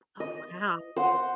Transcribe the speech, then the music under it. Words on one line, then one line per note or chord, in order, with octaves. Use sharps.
Oh, wow.
D#5
C5 F#5